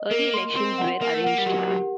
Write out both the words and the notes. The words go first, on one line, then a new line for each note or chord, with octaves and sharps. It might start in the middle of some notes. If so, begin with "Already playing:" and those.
Early elections were arranged.
Already playing: D#5
A#3 A#4
C6
C4 C6
F#5
A#3 A#4
A3
A#3 F#5
G3
F#3 G4
G4